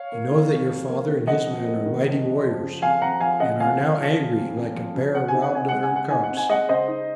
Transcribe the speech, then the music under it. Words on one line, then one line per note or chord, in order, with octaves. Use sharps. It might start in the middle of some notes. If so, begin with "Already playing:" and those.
You know that your father and his men are mighty warriors and are now angry, like a bear robbed of her cubs.
Already playing: C#5 F5
A#3
D#3
F2
F2
A#3
D#3
F2 D#5 F#5
F2
A#3
D#3
F2
F2
F3
C#3
F2 F5 G#5
F2 F#5 A#5
F3 F5 G#5
C#3 D#5 F#5
F2 F5 G#5
F2
F3
C#3
F2
F2
F3
C#3
C#3 F#5
G#5
D#4
F#5
C4 G#5
G#3 F#5
G#5
C#3 F#5
D#4 G#5
F#5
C4
G#5
G#3 D#5 F#5
C#3 C5 D#5
D#4